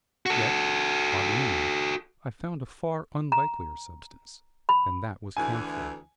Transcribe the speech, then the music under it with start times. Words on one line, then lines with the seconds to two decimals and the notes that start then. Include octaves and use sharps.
Yet, oddly enough, I found a far unlikelier substance, and that was camphor.
0.26 F#4 A4
3.32 A#5
4.69 B5
5.37 D2 E3 G#5